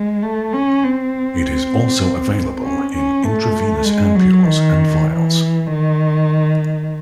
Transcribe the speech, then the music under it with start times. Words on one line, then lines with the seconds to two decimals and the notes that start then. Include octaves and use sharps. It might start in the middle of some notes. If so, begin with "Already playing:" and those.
It is also available in intravenous ampules and vials.
Already playing: G#3
0.22 A3
0.53 C#4
0.83 C4
2.64 C#4
2.94 C#4
3.24 A3
3.85 G#3
4.15 F#3
4.45 D#3
5.06 E3
5.66 D#3